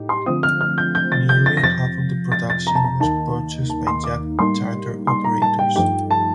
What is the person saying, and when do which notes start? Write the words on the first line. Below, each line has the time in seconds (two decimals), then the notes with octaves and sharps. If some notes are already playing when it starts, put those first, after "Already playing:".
Nearly half of the production was purchased by yacht charter operators.
Already playing: A2 D#4 G4
0.09 C6
0.26 D3 F3 A3 C4 F4 D#6
0.43 F6
0.61 F6
0.78 G6
0.95 G6
1.12 A6
1.29 G6
1.46 A6
1.57 A#6
1.63 F2 C3 F3 A6
2.32 A6
2.50 A6
2.67 A#5
2.75 A5
2.84 A#5
3.00 D#2 D#3 A#3 D#4 A5
3.70 A5
3.87 C6
4.04 D6
4.39 A2 G3 A#3 D#4 C6
5.07 C6
5.24 A#5
5.42 A5
5.59 G5
5.76 G2 F3 A3 D#4 G4 G5
6.11 A5